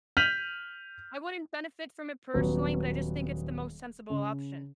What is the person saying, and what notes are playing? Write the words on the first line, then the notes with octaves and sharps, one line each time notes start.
I wouldn't benefit from it personally, but I just think it's the most sensible option.
F6 G6 B6 D#7 F7 F#7
D#1 F#3 B3
C#3